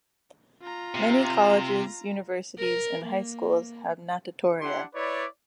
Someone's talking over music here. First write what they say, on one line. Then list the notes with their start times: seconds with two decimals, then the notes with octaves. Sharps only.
Many colleges, universities and high schools have natatoria.
0.62 F4 A#5
0.95 C3
2.59 A#4
3.05 A#3
4.61 D4 E4 G4 F#5 C6
4.95 E4 B4 C#5 D5